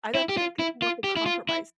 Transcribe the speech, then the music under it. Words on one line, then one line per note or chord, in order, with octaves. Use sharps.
I don't think people want to compromise.
E4
G4
F4
E4
F4
G4
E4
F4
E4